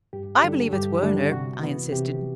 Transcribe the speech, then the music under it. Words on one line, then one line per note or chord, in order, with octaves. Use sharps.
"I believe it's Werner," I insisted.
G2 G4
G4
D3 G3 D4 A4
G2 G4
D3 G3 D4
C3 F#4
E3 B3
C3 G4